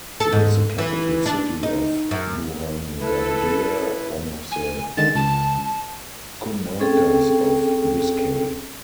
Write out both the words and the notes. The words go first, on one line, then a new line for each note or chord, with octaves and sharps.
It is the capital city of Durangaldea, one of the "comarcas" of Biscay.
A4
G#2
E3
D4
D#4
F#2
E4 A4 B4
G#5
D3 D#3 G#3 A6
C#2 A5
C4 C#4 G#4 A4 G5